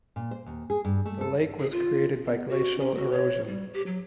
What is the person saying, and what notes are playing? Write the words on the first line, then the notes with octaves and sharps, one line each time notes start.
The lake was created by glacial erosion.
A#2
C5
D#2
G#4
G2
A3
A4
G#4
F4
B3
F#4
C#4
F#4
C#5
G3
G4
F#3